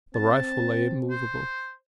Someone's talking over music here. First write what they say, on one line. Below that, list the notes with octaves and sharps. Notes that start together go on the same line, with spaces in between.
The rifle lay immovable.
C4 A5
C5